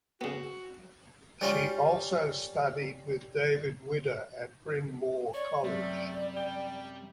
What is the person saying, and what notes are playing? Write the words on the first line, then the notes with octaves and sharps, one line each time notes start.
She also studied with David Widder at Bryn Mawr College.
C#3 B3 F#4
G3 C#4 F4
C#5 D5
F#2 C3 G3 A3
G5